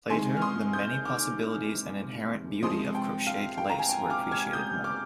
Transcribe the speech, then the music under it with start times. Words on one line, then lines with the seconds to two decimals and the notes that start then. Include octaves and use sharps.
Later, the many possibilities and inherent beauty of crocheted lace were appreciated more.
0.10 C3 D#3 G#3 G#5 C6
0.37 F6
0.41 C6 D#6
0.73 D#6 G6
1.05 D6 F6
2.62 C3 F3 G#3 C6 D#6
2.95 G5
3.27 F5
3.58 G5
3.69 A#5
3.79 G#5
3.89 G5
4.10 D6 F6
4.31 F6 G#6
4.53 D#6 G6
4.84 D6 F6